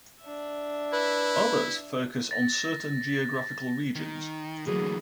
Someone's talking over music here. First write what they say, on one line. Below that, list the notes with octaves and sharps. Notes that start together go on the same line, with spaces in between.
Others focus on certain geographical regions.
D4 E5
E4 B4
A6 A#6
D#3
D3 E3 F#3 A3 A#3 G#4